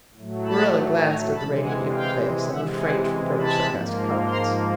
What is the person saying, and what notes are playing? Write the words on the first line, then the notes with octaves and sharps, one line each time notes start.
Marilla glanced at the radiant young face and refrained from further sarcastic comments.
A2 F#3 A3
A5 B5
G#5 A#5
C3 E3 G#3 A5 B5
F#5 G#5
F5 G5
C3 E3 G#3 E5 F#5
F#5 G#5
A5 B5
G#2 F3 A#3
A#5 C6